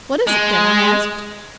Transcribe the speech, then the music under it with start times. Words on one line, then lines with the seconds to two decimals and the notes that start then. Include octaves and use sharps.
"What is it, then?" I asked.
0.27 G#3